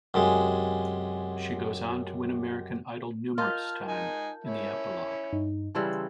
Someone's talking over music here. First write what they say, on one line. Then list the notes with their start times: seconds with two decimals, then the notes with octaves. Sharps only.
She goes on to win American Idol numerous time in the epilogue.
0.14 F#2 C3 G#3
3.38 F4 A#4 D#5 A5 F6 G6
3.88 D#4 G#5
4.44 C#4 E4
5.33 G2 D#4
5.75 C#3 E3 G3 A5 C6 E6